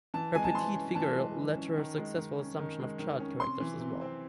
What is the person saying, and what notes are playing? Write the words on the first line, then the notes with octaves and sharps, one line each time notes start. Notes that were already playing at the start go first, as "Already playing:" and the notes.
Her petite figure led to her successful assumption of child characters as well.
E3 A5
G#3 G#5
A5
E3 C6
C#4
E3 A5
G#3
E3
C#4
D#3
G#3
D#3
C#4
D#3
G#3
D#3
C#4
C3 C6
E3
C3
C4